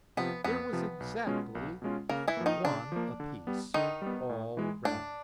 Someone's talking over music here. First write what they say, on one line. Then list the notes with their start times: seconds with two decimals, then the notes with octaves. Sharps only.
There was exactly one a-piece all round.
0.17 C3 F3 B3 B4
0.44 F2 B3 B4
0.73 C3 F3
1.00 B1
1.27 B2 G#3 C#4 F4
1.55 B1
1.82 B2 G#3 C#4 F4
2.09 C#3 A#3 A#4
2.28 E3 E4
2.37 F3 A#3
2.46 D#3 D#4
2.64 C#3 D4
2.92 F3 A#3
3.20 D3
3.47 G3 B3
3.74 D3 D#3 D#4
4.02 G3 B3
4.29 A2
4.57 E3 G#3
4.85 A2 D4